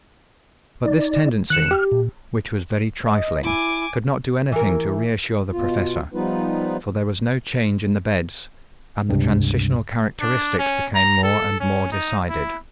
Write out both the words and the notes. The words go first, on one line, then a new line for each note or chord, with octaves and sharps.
But this tendency, which was very trifling, could not do anything to reassure the Professor; for there was no change in the beds, and the transitional characteristics became more and more decided.
D#4 D5
D#3 F#6 C#7 E7
G4 F6
A#2
D#5
E4 G#5 D6
E3 A#4
B2 F4
F3 G3 B3 D#4 F4 B4
C#2 G2 C3
D4
C#4
A#5
A4
C#4
D#4
E4